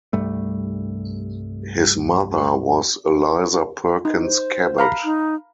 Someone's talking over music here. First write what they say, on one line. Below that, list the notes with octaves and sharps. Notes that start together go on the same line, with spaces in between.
His mother was Eliza Perkins Cabot.
C2 G2 G3 A3
D#4
C5
F5 A#5 B5
D#4